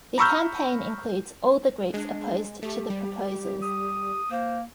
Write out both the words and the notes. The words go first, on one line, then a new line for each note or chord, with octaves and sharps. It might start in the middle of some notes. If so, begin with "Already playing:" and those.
The campaign includes all the groups opposed to the proposals.
A#5 B5 C#6 E6 F6 G6
G#3 D4
A3 G4
G3
D#6
A#3 C5